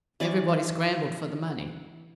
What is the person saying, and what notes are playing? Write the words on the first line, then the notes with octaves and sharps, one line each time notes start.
Everybody scrambled for the money.
E3 D5 C#6 D6